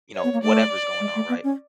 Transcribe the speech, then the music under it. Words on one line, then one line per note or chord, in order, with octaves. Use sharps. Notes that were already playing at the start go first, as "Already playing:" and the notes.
you know, whatever's going on, right?
C#5
B3
A#3
A3 D5
G#3
A3
B3
C#4